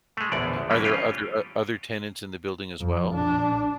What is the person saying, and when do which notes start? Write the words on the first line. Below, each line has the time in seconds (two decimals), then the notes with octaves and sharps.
Are there other, o other tenants in the building as well?
0.17 G#3 A3
0.32 A#1 E2 B2 D3 D5
0.70 E3 F3 G3 A3 A#3 C#4
0.84 C#4 F4 G4
2.80 F2
3.13 D4